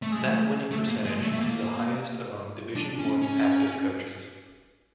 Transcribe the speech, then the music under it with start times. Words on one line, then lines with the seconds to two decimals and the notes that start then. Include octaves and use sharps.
That winning percentage is the highest among Division One active coaches.
0.02 A3
0.12 G#3
0.23 A3
0.71 A3
0.88 A#3
1.05 G#3
1.22 A3
1.32 A3
1.39 A#3
2.76 D4
2.99 C#4
3.22 C#4